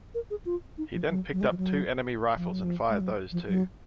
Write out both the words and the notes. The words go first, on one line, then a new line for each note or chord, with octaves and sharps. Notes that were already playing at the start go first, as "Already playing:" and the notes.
He then picked up two enemy rifles and fired those too.
A#4
G#4
F4
D#4
F3
F#3
F#3
G#3
F3
F#3
F3
F#3
F3
G#3
F#3
F3
F#3